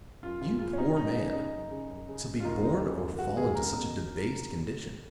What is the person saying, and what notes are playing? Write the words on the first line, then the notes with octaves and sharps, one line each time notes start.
You poor man, to be born or fall into such a debased condition.
F#2 F4
F#2 F4
C#3 F4
C#4
C#3 D#4
F#2 D#4
C#3 D#4
C#3 D#4
F#2
C#3
F#2
C#3
C#3
F4
D#2 D#4
D#2 D#4
C#3
D#2
C#3 F#4
D#2 G#4
C#2 A#4
B2